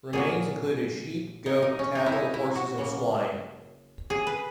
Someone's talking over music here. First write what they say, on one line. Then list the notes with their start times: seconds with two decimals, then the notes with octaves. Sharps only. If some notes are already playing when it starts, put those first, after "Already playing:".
Remains included sheep, goat, cattle, horses and swine.
0.13 A#2 F#3 A#3 G#4
1.46 D#4
1.62 D#4
1.79 C#4
1.95 D#4
2.06 E4
2.12 D#4
2.34 E4
2.56 F#4
2.78 C#3 F#3 A#3
4.10 G#4
4.27 B4